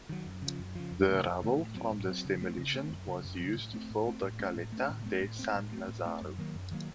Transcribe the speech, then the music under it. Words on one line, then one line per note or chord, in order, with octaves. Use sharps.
The rubble from this demolition was used to fill the Caleta de San Lazaro.
D#3 F#3
F#2
C#3 F3
F#2
C#3 F3
F2
C3 D#3 A3
F2
C3 D#3 A3
A2
F#3 C4
A2
F#3 C4
C#3
A3 C4
C#3
A3 C4
F#2
C#3 F#3
F#2
C#3 F#3
A2
A3 C4
A2
A3 C4
A2
A3 C#4
A2
A3
C#4
A2
A3 C4
A2
A3 C4
A2
A3 C4
A2
A3 C4
F#2
D#3 F#3 A#3
F#2
D#3 F#3 A#3